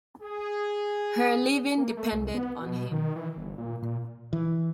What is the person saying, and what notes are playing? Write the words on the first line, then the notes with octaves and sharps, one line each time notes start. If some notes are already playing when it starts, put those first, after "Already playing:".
Her living depended on him.
G#4
A#3
A3
C2
B3
B2
D#3
E3
G1
A#2
A#2
E3